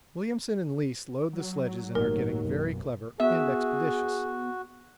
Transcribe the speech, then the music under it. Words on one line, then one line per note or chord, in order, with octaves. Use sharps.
Williamson and Leese load the sledges and are getting very clever and expeditious.
F#3
G1 D#2 A2 A3 A#4
A1 F#2 B2 F#3
B3 F#4 G#4 E5